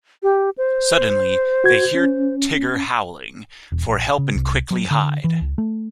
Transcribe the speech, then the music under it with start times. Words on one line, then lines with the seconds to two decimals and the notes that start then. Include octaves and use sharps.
Suddenly, they hear Tigger howling, for help and quickly hide.
0.23 G4
0.58 C5
1.64 F#4 G#6
1.95 C#4
3.72 E1
3.87 A#1
4.18 C#3
4.35 C2
4.71 F#3
4.91 D3
5.24 E3
5.41 C#2
5.58 A3